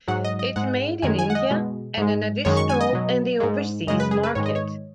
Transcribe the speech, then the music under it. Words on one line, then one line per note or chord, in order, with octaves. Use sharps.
It made in India and an additional in the overseas market.
G#2 F#3 F#5
D#5
D#5
G#2 G#3 F#5
F#2 D#3 G#3 G#5
G#5
F#5
D#5
B2 G#3
G#2 G#3
F#2 D#3 G#3 C#5
C#6
G#5
D#5
B2 F#3
G#2 G#3
F#2 C#3 G#3 D#5
B4
G#4
B4
G#2 D#3 G#3 C#5
D#5
C#5